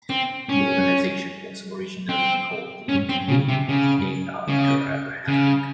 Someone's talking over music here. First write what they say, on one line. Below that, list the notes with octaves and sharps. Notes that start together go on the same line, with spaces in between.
The organization was originally called the Lincoln League, named after Abraham Lincoln.
C4
C#4
C4
C#4
C4
C#3
C3
C#3
C#3
C#3